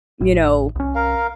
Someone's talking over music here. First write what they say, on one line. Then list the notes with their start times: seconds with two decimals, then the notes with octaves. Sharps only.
you know,
0.21 A1
0.75 C2 C#4
0.95 A#4 F5